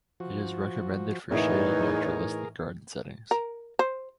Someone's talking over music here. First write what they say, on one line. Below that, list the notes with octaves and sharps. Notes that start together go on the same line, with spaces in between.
It is recommended for shady naturalistic garden settings.
F3 F#4
E2 A2 E3 D#4 G#4 A#4 C#5
A#4
C5